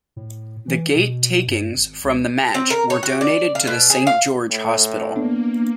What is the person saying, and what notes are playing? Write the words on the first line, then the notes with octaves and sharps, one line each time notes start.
The gate-takings from the match were donated to the Saint George Hospital.
A2
E3
B2
G2
G#1
C#2
C4
A#4
C#5
F#4
D5
F5
B2
G#4
F5
A2
A#3 B3 D4